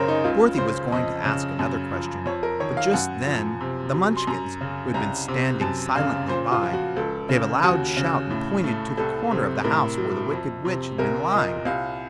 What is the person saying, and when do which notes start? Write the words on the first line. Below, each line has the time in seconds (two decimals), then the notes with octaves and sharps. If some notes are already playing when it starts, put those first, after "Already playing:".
Dorothy was going to ask another question, but just then the Munchkins, who had been standing silently by, gave a loud shout and pointed to the corner of the house where the Wicked Witch had been lying.
Already playing: F#2 C#3 A#4 C5 C#5
0.08 D#4
0.24 C#2 F4
0.58 C#3 C5
0.92 F2 D#5
1.25 C#3
1.59 F#2
1.93 F3
2.26 F2 C#5
2.43 A#4
2.60 D#3 C#5
2.77 F5
2.93 F#2 F#5
3.27 F3
3.61 C3
3.94 F#3
4.17 C6
4.27 F#2 A#5
4.61 C#3
4.94 C2 A#5
5.28 C3
5.61 F#2 A5
5.95 C#3 F5
6.28 A#2 C5
6.52 F4
6.63 F3
6.73 F#4
6.96 C#2 A4
7.29 C#3
7.63 D#2 F#4
7.97 C#3
8.30 A2
8.64 A3
8.97 C2 A4
9.31 C3
9.64 A2 A#4
9.98 F#3
10.31 F2
10.65 C3
10.98 C2 A#4
11.32 A#2 D#5
11.65 C2 F5